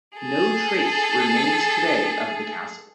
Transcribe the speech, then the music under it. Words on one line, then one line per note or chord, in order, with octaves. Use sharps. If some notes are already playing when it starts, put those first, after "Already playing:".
No trace remains today of the castle.
G#4 A4